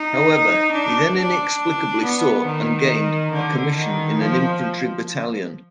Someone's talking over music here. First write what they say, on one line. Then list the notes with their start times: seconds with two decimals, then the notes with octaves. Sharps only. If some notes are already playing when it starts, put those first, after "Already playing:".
However, he then inexplicably sought and gained a commission in an infantry battalion.
Already playing: D#4
0.73 D4
1.16 D4
2.03 B3
2.46 D#3
3.33 D3
3.76 D#3
4.20 F3